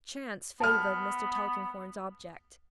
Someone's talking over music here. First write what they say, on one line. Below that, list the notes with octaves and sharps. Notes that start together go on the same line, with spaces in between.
Chance favored Mr. Tulkinghorn's object.
B3 A5 F6